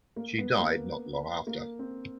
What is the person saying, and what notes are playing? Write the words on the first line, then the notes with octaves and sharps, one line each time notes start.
She died not long after.
A#3
B3
A#3
A#3
C4